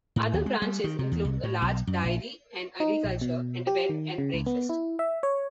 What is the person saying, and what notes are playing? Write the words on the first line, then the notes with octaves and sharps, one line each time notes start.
Other branches include a large dairy and agriculture and a bed and breakfast.
A2
D#2
G#3
G3
D#3
C3
E2
C2
A2
B1
F#2
A#1
D#4
A#1
B2
G4
D#3
C#3
C#2
B3
E4
E5
C#5